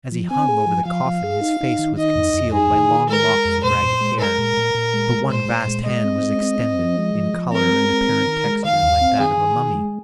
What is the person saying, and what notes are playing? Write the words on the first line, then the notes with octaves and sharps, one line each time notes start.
As he hung over the coffin, his face was concealed by long locks of ragged hair; but one vast hand was extended, in colour and apparent texture like that of a mummy.
F3
C4 G#5
G#4
F3
F3 F5
F3
G#4
D#4
D#4
D#3
D#4 D#5
F2
F2
D#4 G#4
D#3
D#3
G#3 A#4
G#3
F2
A#2 C5
A#2
G#3
G#3 A#4
A#2
A#2
A#2
G#3
G#3
A#2 C5
A#2
G#3
G#3 D#5
C4
G#3
C4
C4
F3
G#3
F3
F3
C4 A#4
G#3
C4
D#3
D#3
G#3
D#3 F5
D#2
C4
D#3 G#4
D#3
D#3
G#3